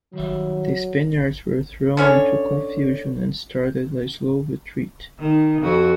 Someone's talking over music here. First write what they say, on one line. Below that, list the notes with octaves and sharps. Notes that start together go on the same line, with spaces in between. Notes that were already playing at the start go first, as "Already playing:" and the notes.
The Spaniards were thrown into confusion and started a slow retreat.
D#3 F#3 G3 E5
D3 C#4 C#5
D#3
F2 F#4